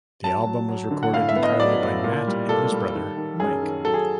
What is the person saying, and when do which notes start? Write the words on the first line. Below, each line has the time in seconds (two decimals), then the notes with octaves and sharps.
The album was recorded entirely by Matt and his brother, Mike.
0.24 F#3 A5
0.46 F#3
0.68 F#3
0.91 D3
1.03 F#5
1.13 A2 F5
1.29 E5
1.36 B3
1.43 D#5
1.59 F#3 D5
1.82 A2
2.04 A#2
2.27 G3
2.49 A#2 A4
2.72 G3
2.94 D#3
3.17 D#3
3.40 F#2 G#4
3.62 D#3
3.85 F#3 A4
3.94 G#4